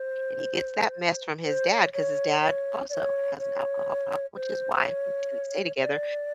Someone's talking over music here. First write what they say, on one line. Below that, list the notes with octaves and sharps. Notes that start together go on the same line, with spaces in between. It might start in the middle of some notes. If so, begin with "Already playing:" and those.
and he gets that mess from his dad 'cause his dad also has an alcohol problem, which is why we didn't stay together
Already playing: C5
C5
D5
C#5
C#5
C#5
D5
C#5
C#5
C5
C5
C#5
D5